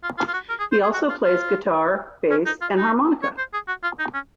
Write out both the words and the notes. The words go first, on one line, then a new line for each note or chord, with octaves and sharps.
He also plays guitar, bass and harmonica.
F4
F4
F4
F#4
A#4
G#4
C5
G#4
F#4
F4
F4
C#4
D#4
F4
D#4
C#5
C5
G#4
F#4
F4
D#4
C#4